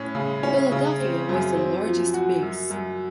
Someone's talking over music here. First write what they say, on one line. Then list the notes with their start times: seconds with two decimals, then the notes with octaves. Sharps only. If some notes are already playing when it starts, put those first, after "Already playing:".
Philadelphia was the largest base.
Already playing: A2 C#4
0.15 C#3
0.43 C#4
0.72 C#3
1.00 C4
1.29 F#2
1.57 C4
1.86 F3
2.14 F#4
2.43 F#2
2.70 F#2